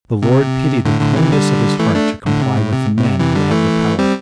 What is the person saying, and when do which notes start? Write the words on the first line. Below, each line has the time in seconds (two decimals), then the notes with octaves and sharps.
The Lord pity the proneness of his heart to comply with the men who have the power . . .
0.22 C3
0.85 A2 D3
1.01 A2 D3
1.16 C3 E3
1.32 D3 G3
1.79 E3 A3
1.95 A3 D4
2.26 A2 D3
2.42 C3
2.57 A2
2.73 C3
2.98 A2
3.04 C3
3.20 C3 E3
3.35 D3 G3
3.51 E3 A3
3.99 G3 C4